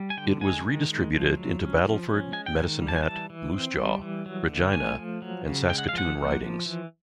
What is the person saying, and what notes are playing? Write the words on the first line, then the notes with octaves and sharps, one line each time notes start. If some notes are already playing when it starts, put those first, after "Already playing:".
It was redistributed into Battleford, Medicine Hat, Moose Jaw, Regina and Saskatoon ridings.
Already playing: G3
G#5
D3 G5
G#3 G#5
D#3
G#3
F3
F#3
C#4
F3
C#4
G#3 G#5
G5
D#3 G#5
G3
A5
G#5
E3 A5
E3
C4
G3
E3
F#3
D3
A3 G#5
F3
F#3
C#3
G#3 G5
F#5
F5
F3 F#5
A#3
F3
E3